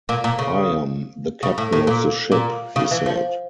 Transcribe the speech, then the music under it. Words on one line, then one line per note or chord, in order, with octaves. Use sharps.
"I am the captain of the ship," he said.
A#2
A#2
C#3
C#3
A2
A2
A#2
A#2
C#3
E3
F3